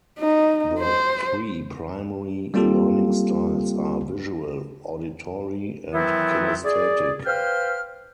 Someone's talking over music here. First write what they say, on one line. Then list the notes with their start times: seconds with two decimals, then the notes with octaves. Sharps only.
The three primary learning styles are visual, auditory, and kinesthetic.
0.19 D#4
0.79 C5
2.54 G3 A#3 C4 F4 G4 A4
5.93 D#3 E3 F#3 B3 C4 E4
6.64 G#4 D5
7.26 B4 C5 F5 G5 F6